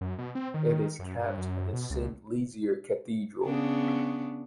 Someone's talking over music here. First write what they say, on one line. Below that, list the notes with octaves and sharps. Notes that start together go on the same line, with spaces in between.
It is kept at the Saint-Lizier cathedral.
F#2
B2
C4
D#3
F#2
G2
F#2
B2
C#2
C#3 B3 D4